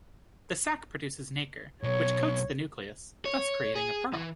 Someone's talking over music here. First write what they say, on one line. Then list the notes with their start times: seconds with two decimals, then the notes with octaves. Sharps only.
The sack produces nacre, which coats the nucleus, thus creating a pearl.
1.83 B1 B2 C#5
3.25 C#5
3.76 G#4
4.13 E3